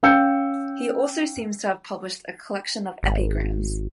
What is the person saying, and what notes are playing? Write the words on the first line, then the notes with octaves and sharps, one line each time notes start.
He also seems to have published a collection of epigrams.
C#4 F5 G5 E6 G6 C#7
G#1